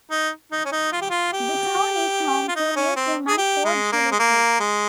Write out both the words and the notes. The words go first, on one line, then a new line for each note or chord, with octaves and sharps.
The town is home to a museum and Fort Jillifree.
D#4
D#4
C#4
D#4
F4
G4
F4
G4
F4
D#4
C#4
C4
G#4
G4
G#3
A#3
G#3
A#3
G#3